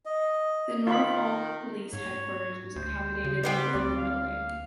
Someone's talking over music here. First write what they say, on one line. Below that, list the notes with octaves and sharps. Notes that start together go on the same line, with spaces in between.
The Norfolk Police headquarters was accommodated within the building.
D#5
D#3 F4 B5
G#2 C#5
D2 C5
C#3
G3 B3 C4 G4
D2 D5
F5